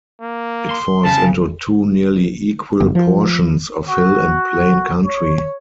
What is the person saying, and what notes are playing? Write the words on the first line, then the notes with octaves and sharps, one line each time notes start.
It falls into two nearly equal portions of hill and plain country.
A#3
C6
C#3 A5
G1
F3
F#4
C#5